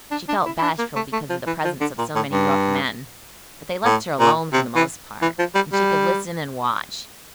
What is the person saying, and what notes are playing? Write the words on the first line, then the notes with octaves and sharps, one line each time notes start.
She felt bashful because of the presence of so many rough men; but they left her alone for the most part, and she could listen and watch.
D4
D4
E4
E4
D4
A#3
A3
A3
F3
E3
F3
D3
A#2
A2
G2
A2
A#2
C3
E3
E3
F3
G3
G3